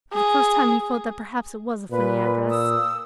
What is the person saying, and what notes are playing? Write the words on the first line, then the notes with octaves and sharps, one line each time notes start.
For the first time he felt that perhaps it was a funny address.
G#4
A#2 B4
D#6 E6